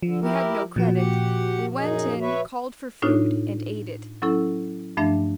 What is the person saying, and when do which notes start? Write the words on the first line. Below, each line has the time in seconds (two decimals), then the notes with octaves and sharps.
We had no credit; we went in, called for food and ate it.
0.03 D3 F3
0.21 E4 G4 A#4
0.76 A#2 F3 B3 F#4
0.96 G4 F#5
1.76 F#2 D#4 G#4
2.21 B4 C#5 E5
3.02 A2 D4 D#4 F4 F#4 C#5
4.22 F#3 C#4 E4 A4
4.97 G2 F3 A3 D4 E5